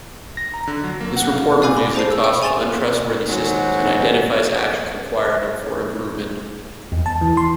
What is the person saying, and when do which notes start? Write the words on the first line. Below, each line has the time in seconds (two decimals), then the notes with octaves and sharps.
This report reviews the cost of un-trustworthy systems and identifies actions required for improvement.
0.37 A#6
0.54 A#5
0.67 D3
0.84 F#3
1.00 A#3
1.16 F#5
1.32 F5
1.62 D5 F5 G#5 B5 D6
1.77 B5
1.95 G#4 C5 A5 C7
2.11 E6
2.24 F5 G5 E6
2.42 G#4 G#5 C6 A6 E7 F7
3.28 D#2 G#2 F#3
6.92 E2
7.06 A5
7.21 E3
7.37 C6